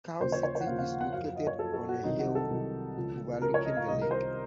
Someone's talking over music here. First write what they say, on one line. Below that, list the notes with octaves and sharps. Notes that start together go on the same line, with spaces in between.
Kaw City is located on a hill overlooking the lake.
D#2 C#3 F3 C5
C#5
C#5
C#5
F#5
D#2 C#3 F3 F5
F5
F#5
F#2 F3 F5
F5
D#5
C#5
F#2 F3 A4
A4
F#4
C2 C3 D#3 F#3 D#4
F#4
A4
C2 C3 D#3 F#3
C#2 C#3 F3
C#2 C#3 F3 A#4
C#5
D#5
F5
C2 C3 D#3 D#5
A#4
C5